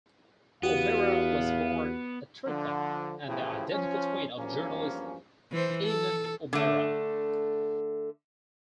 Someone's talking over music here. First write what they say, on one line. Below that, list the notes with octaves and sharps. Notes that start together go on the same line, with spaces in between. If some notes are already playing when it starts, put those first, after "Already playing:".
O'Meara was born a triplet, and the identical twin of journalist Aileen O'Meara.
E2 B3 F#4 G4 F5
D3 F3
A2 C#3 E3 F3 E4 G4
F3 C#4
E2 G2 F3 A#3 C#4
E3 C5
A4
D3 A3